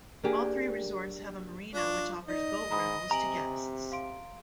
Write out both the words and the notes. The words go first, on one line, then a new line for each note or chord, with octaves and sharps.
All three resorts have a marina which offers boat rentals to guests.
A#3 D4 G4 G#4
D4 F4 C#6 F#6
D#4 D5 D#5
G#2 A#5 B5 D#6
C3 G#5 A#5 D7 F#7
F5 C6 D7